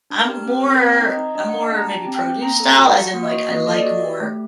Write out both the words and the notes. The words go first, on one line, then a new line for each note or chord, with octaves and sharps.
I'm more I'm more more maybe produce style as in, like, I like more,
D4
G4 A#4
C4
C4
A#4
C4 C5
D#4
D#5
D#4
D4 D#5
F#5
A#3
A5
D4 A#5
G4 A5
C4
G5
C4
A#3 A#5
A4 A#5
A5
F#4
F#4 F#5
A#3
D#5
F#4
A#3 D#5
A4 D#5
D5
F#4
G4
A3